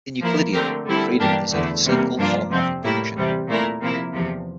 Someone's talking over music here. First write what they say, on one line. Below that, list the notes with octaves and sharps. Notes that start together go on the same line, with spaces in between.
In Euclidean, the freedom is in a single holomorphic function.
F3 A#3 E4 A#4
D3 A3 C4 G4 A#4
D3 G3 C4 E4 A4
G2 E3 A#3 D4 G4
E2 D3 A3 E4
C3 E3 G3 A#3
G2 F3 A#3 D4 F4
F2 C3 F3 C4
A2 G3 A#3 E4
E2 C3 G3
A#2 A3 E4 A#4
C3 F3 A#3 E4
E2 C3 F3